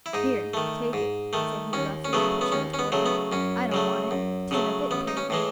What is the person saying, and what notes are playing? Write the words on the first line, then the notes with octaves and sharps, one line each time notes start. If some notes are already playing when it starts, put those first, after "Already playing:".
"Here, take it," said he roughly, pushing it toward her; "I don't want it; 'tisn't a bit pretty."
E4
G#2 D#4
D#3 A3
G#2
D#3 A3
D#2 C#4
C#4
C#3 F#3 A3 B3
B3
D#2 C#4
C#4
B3
C#3 F#3 A3
B3
F#2 C#4
C#3 F#3 A3
F#2
C#3 F#3 A3
A1 B3
D#4
C#4
A2 E3 G#3